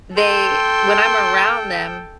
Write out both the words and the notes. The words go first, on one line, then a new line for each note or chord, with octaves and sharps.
they when I'm around them,
A4 G5 C6